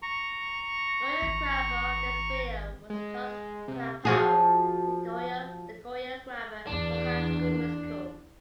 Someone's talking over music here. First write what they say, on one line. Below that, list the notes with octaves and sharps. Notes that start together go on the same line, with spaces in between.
The choreographer of this video was Charles Klapow, the choreographer for "High School Musical".
A#5 C#6
G#1
G#3
C3
F3 F#4 G#4
E2 D4